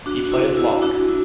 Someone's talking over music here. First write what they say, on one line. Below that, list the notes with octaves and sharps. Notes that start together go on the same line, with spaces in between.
He played lock.
D4 F#4
E4
E4
D4 F#4
E4